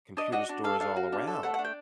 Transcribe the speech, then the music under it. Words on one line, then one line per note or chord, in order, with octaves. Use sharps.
computer stores all around
D4 D#5
F#4 D#5
D4
A4 F5
D4 F5
F#4
D4
A4
A3 F#5
F#5
D4
G5